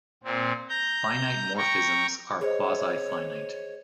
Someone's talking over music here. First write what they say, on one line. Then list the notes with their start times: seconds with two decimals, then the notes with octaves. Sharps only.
Finite morphisms are quasi-finite.
0.24 A#2 C4
0.69 A#5 G6
1.58 G5 A#5 C#6
2.41 G#4 C5 C#5 D#5